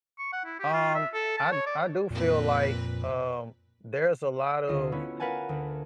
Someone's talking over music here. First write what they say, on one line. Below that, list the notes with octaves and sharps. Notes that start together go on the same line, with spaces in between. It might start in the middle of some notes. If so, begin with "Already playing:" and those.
Um, I d I do feel like, um, there's a lot of,
C#6
F#5
E4
G4
F4
E5
A4
A5
C#5
D5
F2 A#2 A#3 C4 B4
E6
D2 F4 D#5 C7
B3 C#4 E4 F#4 C#5
A#4 B4 F5 F#5 G#5 A5
D2